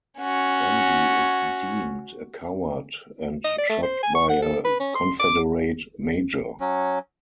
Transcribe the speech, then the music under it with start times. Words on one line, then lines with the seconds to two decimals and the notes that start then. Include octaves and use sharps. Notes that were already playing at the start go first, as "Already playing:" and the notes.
Andy is deemed a coward and shot by a Confederate major.
0.19 C#4 F#4
3.44 D#5
3.58 D5
3.70 A3
3.83 C5
4.03 G#5
4.15 C#6
4.29 F#5
4.42 A4
4.65 B4
4.80 C#4
4.95 C6
5.19 D6
6.60 F#3 C#4